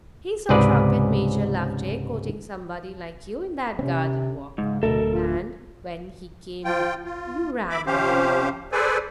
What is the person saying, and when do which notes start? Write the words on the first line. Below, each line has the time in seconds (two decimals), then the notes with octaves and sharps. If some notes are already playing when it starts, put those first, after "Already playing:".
He saw Trumpet-major Loveday courting somebody like you in that garden walk; and when he came you ran indoors.'
0.49 C#2 G#2 C3 G#4 B4 D5
3.79 C3 C4 C#4
4.58 G#2 C#3
4.83 D1 D2 B2 A3 A4 A#4
5.12 F4
6.65 F3 F4 G5
7.05 F4
7.70 E5 B5 D6
7.86 C3 F3 C#4 G4 C5 F5
8.72 G#4 A4 B4 C5 D5 G#5